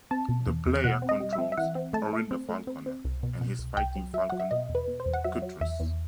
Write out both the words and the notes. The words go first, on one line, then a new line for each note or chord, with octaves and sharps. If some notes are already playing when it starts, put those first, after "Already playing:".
The player controls Orin the Falconer and his fighting falcon Cutrus.
C4 A5
B2
E2
E2
B2 F#5
C4
D#5
G3
E5
C4
E5
E3 F#5
C4
A3 A5
A3
C4
A3
C4
C4
C2
B2
B2
C2
C2 G5
F#3
F#3 E5
F#3 F#5
E5
B2 D#5
E2
B4
B2
C5
E2
F#5
F#3 E5
F#3
E2 E5
E2